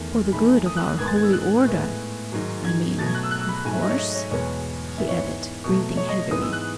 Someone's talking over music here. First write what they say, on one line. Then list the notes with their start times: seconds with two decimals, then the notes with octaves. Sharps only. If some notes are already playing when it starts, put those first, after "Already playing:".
"For the good of our holy Order, I mean, of course," he added, breathing heavily.
Already playing: E2 D#3 A3
0.32 E2 D#3 A3 B5
0.66 D#6
0.76 F#6
0.88 F#6
0.99 G#2 D#3 G#3 B3 G#6
1.07 A6
1.16 G#6
1.23 E6
1.33 F#6
1.65 A2 G#3 B3
2.32 G#2 D#3 F#3
2.65 G#6
2.98 B2 F#3 A3 A6
3.07 G#6
3.15 F#6
3.23 E6
3.31 F#6
3.40 E6
3.49 B5
3.64 G#2 F#3 A3 G#5
3.73 E5
3.82 D#5
3.89 C#5
3.98 D#5
4.15 C#5
4.31 E2 B2 G#3 B3 C#5
4.97 G#2 E3 B3 E5
5.09 C#5
5.20 C#5
5.64 B2 F#3 A3
5.97 C#5
6.09 D#5
6.30 G#2 E3 B3 D#6
6.42 E6
6.53 F#6